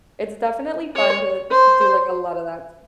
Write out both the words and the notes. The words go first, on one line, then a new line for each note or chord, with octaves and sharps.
It's definitely fun to do, like, a lot of that s
C#5
C5